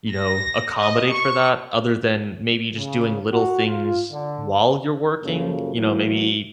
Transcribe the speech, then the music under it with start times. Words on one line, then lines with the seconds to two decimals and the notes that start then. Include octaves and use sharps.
you know, accommodate for that other than maybe just doing little things while you're working. You know, maybe,
0.14 A#6
0.79 D#5
1.12 C#6
2.75 C#3
3.32 F#4
3.66 F4
4.11 D3
5.23 F#2 C#3 F3 F#3 A#3 A4
5.74 E3 F#3 A#3 E4